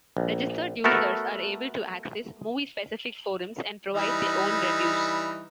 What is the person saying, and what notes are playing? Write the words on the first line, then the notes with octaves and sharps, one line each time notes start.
Registered users are able to access movie-specific forums and provide their own reviews.
A#1
A3 B3 F#4 A4 A#4
E3 G3 D#4